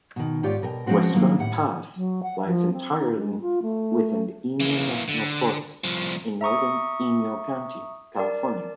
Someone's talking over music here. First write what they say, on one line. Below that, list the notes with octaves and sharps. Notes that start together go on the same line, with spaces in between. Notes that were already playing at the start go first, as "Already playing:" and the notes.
Westgard Pass lies entirely within the Inyo National Forest, in northern Inyo County, California.
B2 D#3
G#2 F4 G4 C#5 D5
B2 A#4 D#5 G5
F3 G#3 C4 C#4 F#4 C5
D#3 F#3 G3 A#3 D4 F4
A2 G4 F#5
F#3
F#5
F3
C4
D#4
G#3
F4
A3
E3 A#3
D3
C2 F3
E5 A#5 C#6 D#6
A#4 D5 A5